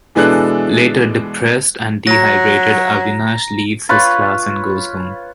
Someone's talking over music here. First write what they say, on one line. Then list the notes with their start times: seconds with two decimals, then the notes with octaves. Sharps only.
Later depressed and dehydrated Avinash leaves his class and goes home.
0.15 B2 E3 G#3 D4 A4 F#6
2.07 F#3 A#5 A#6
3.89 F4 B4 C#5